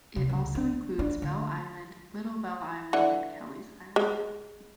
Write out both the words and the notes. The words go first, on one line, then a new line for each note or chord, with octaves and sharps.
It also includes Bell Island, Little Bell Island and Kelly's Island.
C3
C#2
D4
D4
D3
D3 E3 F#5
G#3